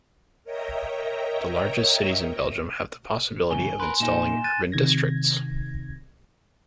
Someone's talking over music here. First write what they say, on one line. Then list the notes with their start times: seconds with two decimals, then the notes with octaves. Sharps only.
The largest cities in Belgium have the possibility of installing urban districts.
0.44 A#4 C#5 D#5 E5 G5 A#5
3.51 E2 G2 C#3 G#5 G7
3.80 A#4 B4 C6
4.00 A#2 D#4 G#5 E7
4.44 F#6 A6 D#7
4.72 C3 D#3 G#6 A#6